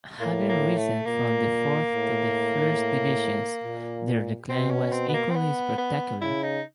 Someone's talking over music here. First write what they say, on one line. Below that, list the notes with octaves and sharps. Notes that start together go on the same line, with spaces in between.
Having risen from the Fourth to the First Divisions, their decline was equally spectacular.
A2 A#3
A#3
A3
A#2 A#3
A2
A#2
B2 C4
C#4
C4
B3
A#3
C4
B3
B3
C#3 E4
D#4